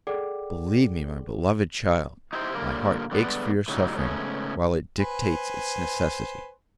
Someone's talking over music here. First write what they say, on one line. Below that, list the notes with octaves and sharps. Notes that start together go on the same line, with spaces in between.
Believe me, my beloved child, my heart aches for your suffering, while it dictates its necessity.
G#4 A4 D5 F#5 G5 D6
D#4 E4 G4 C5
A#2 D3 G3 A#3
D3 G3 G#3 B3 B4 D5
A2 C#3 F#3 G3 D#4
G#2 C#3 A3 B3 C#4
B4 C5 G#5